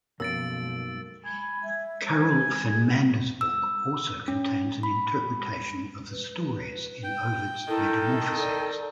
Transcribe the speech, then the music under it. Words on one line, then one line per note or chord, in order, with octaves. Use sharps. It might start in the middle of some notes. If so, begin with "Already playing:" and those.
Karel van Mander's book also contains an interpretation of the stories in Ovid's "Metamorphoses".
B1 F#2 B2 F3 A#3 E6 A6 D7
G#5 B5
E5
C5 G#5
G#3
E6
C#4
B5
B4
G5
D#3 E4 A4
D5